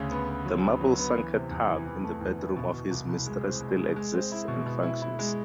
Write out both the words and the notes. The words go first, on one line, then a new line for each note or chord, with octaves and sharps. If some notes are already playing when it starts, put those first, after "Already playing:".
The marble sunken tub in the bedroom of his mistress still exists and functions.
Already playing: D2 C#3
B3
B3
F#3
B3
F#3
B3
E3
C3
E2
E3
E3
A3
E2
E3
B2
B2
C2
C2
G#3
C4
G#3
G#3
G#3
C4
E4
B2
B2
E4
E4
G#3